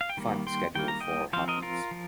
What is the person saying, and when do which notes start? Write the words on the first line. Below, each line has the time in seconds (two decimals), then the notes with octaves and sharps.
Find the schedule for Heart Beats.
0.01 F5
0.09 G5
0.17 D#3 G3 A#3
0.47 G5 C6
0.75 D#3 G3 A#3 G5
0.88 A#5
1.00 D#5 G5
1.33 F3 C4 C5 F5
1.48 A#4 D#5
1.62 F4 A#4
1.91 F3